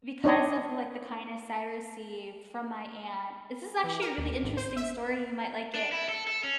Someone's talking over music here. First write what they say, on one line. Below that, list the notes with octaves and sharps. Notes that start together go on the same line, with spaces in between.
because of, like, the kindness I receive from my aunt this is, actually, a really interesting story, you might like it.
D4 D#4 C#5 D#5
E3
A#4
D#2
G#1
C5
E5
D4
E4
A4
A4
C#4